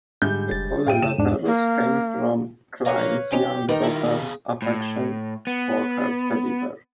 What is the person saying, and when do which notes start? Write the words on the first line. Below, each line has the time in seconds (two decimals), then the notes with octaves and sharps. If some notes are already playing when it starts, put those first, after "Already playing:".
The call letters come from Klein's young daughter's affection for her teddy bear.
0.22 G#2 D3 G3 G#3 G6
0.51 F1 A6
0.87 A2 F5 G5 D#7
1.02 C#3 E7
1.18 E2 G#2 D4
1.46 A#3
2.86 A#3 B4 C#5 F5
3.32 C4 C#4 D#4 G4
3.69 D#3 G3 D#4 A#4 B4
3.83 E4 F4
4.04 B3 G#4 F5
4.62 A2
5.47 B3